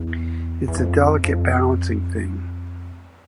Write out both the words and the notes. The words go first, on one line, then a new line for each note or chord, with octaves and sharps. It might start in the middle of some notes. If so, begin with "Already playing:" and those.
It's a delicate balancing thing.
Already playing: E2
E2
F2
F2